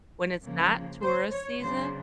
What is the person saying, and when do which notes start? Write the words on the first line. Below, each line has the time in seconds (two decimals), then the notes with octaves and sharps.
when it's not tourist season,
0.44 C#3 F3 A#3
1.02 C5
1.31 C#5
1.60 C#3 F#3 B3 D4 C5